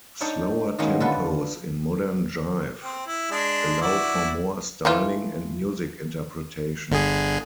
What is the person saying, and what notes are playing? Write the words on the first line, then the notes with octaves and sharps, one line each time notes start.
Slower tempos in Modern Jive allow for more styling and music interpretation.
D4 D#4 A4 C#5 G5
D#3 F#3 G#3 A#3 C#4 G#4
D3 F4 A4 B4
C4
E4
G#3 D4
E4 F#4 D5
E3 A3 F4
G1 D3 G#4